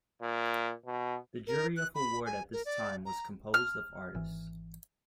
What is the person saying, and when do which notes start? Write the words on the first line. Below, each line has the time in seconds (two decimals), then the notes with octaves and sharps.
The jury of award at this time was composed of artists.
0.22 A#2
0.86 B2
1.47 A#4
1.77 F#6
1.95 B5
2.26 G#5
2.53 A#4
2.65 D5
3.06 A#5
3.54 F6
4.15 G#1 E3